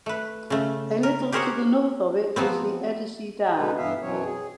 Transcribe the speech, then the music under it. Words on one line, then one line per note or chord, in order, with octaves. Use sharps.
A little to the north of it is the Edersee dam.
A3 B4
C#3 A3
A#4
G4 G#4 A#4 C5 C#5 F#5
F3 F#3 B3 C4
B2 D3 G#3 D#4 B4
G2 E3 B3 E5 F5
F#2 B2 E3 F#3 C4 C#5
G#4